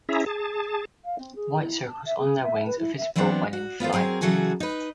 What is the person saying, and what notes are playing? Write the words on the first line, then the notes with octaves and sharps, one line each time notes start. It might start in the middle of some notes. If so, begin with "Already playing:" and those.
White circles on their wings are visible when in flight.
C#4 E4 G#4 E5 A#5
G#4 A5
F5
C4
G#4
E4
A5
E5
G#4
E5
B4
E4
E5
E3 F#3 B3 C4 D4
F#4
B3 F4 A4 C5
F#3 C4 G#4 A#4
C#3 E3 F#3 F#4 G#4 A4
D#4 B4